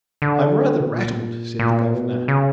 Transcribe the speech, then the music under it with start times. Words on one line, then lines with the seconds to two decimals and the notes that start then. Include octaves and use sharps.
"I am rather rattled," said the Governor.
0.22 D3
0.80 B2
0.90 A#2
1.59 A#2
1.94 B2
2.28 C#3